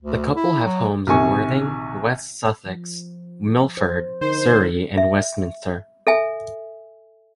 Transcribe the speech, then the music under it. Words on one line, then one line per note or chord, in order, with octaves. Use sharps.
The couple have homes in Worthing, West Sussex, Milford, Surrey and Westminster.
D2
E4
F#3
A#1 C3 D#3 G#5 C#6
F3
C5
D3 D#4 A#4 C5
E5
A4 E5 G#5